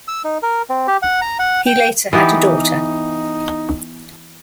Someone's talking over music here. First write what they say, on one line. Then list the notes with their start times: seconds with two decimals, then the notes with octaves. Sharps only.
He later had a daughter.
0.08 E6
0.24 D#4
0.43 A#4
0.69 C4
0.87 G4
1.02 F#5
1.21 A#5
1.39 F#5
1.66 G5
2.13 E3 B3 D#4 G4